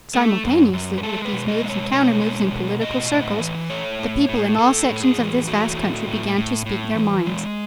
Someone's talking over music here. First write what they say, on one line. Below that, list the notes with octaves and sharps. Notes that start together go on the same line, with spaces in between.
Simultaneously with these moves and counter-moves in political circles, the people in all sections of this vast country began to speak their minds.
A3
F#2
F#2
B4
G#3 A4
B4
B2
D#5
G#3 D#5
C#5
B2 C#5
G#3
B2
A2 D#5
A2
E3
A3 C#5
A2
A2
A2 A4
A2
G#4
E3
A3 F#4
A2
A2
A2
A2
E3
G#3